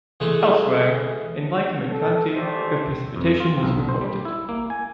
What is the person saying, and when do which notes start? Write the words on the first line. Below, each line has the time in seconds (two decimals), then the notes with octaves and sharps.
Elsewhere, in Lycoming County, of precipitation was reported.
0.20 E3 G#3 A3
1.90 A4
2.35 A1 G#3 A3 D4 G4 C5
3.16 F2
3.40 F4
3.63 B1
3.89 C5
4.01 G3
4.25 E4
4.49 A#3
4.70 G#5